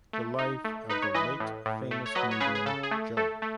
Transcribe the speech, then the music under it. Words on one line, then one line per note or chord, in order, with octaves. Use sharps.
The Life of the Late Famous Comedian, Jo.
A3
D#4
A3
D#4 B4
C#5
E3 B4 D#5
A2
A2
A3
C#5
F#3 B4 D#5
C#5
C#3 G#4 B4
G#4
C#3 A4
G#4
A3
A3 A4
A3